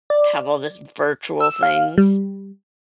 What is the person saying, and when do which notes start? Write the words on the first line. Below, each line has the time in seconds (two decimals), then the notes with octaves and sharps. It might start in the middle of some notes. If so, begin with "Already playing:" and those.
have all this virtual things.
0.10 D5
1.40 E6
1.63 F5
1.98 G3